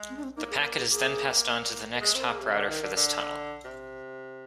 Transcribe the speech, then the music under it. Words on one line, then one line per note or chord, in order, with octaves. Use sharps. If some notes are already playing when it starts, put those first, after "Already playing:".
The packet is then passed on to the next hop router for this tunnel.
Already playing: G#3
C4
D4
C4
A#3 D#4
G#4
A#4
G#4
A#3 G#4
A#4
G#3 G#4
C4 A#4
A#3 G#4
G4
C3
G#4
D3 A#4
D#3
D3
D3
C3